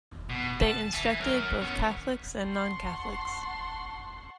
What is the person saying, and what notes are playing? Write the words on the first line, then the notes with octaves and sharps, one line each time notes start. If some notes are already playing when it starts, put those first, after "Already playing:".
They instructed both Catholics and non-Catholics.
B2
A5
E5 G#5
F#3 A#4
B3 C#4
F#5 A5 C6 C#6